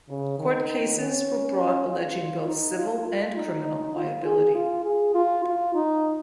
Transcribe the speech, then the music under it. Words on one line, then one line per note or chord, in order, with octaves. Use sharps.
Court cases were brought alleging both civil and criminal liability.
C#3
D#3
C#4
F4
D#4
F4
F4
D#4
F4
G#4
F4
G#4
F4
F4
D#4